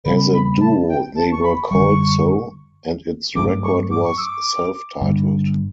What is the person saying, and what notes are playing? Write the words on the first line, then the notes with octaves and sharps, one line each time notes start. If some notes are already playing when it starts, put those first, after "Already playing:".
As a duo they were called So, and its record was self-titled.
C#3 G3 B3 B5
B5
B5
A5
G5
A5
C#6
B5
F#2 D3 G3 C#6
G2 F#3 A3 C#4 D6
C#6
D6
C#6
E6
D6
G2 D3 G3 D4